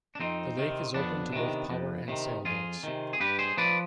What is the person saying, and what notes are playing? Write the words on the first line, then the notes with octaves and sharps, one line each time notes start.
The lake is open to both power and sail boats.
D4
F2 C4 D#4
C3 D#3
F2 B3 D4
C3 D#3
F2
C3 D#3
F2 F4 G#4
C3 D#3
G#4
G2 G4 B4
G#4 C5
F3 B4 D5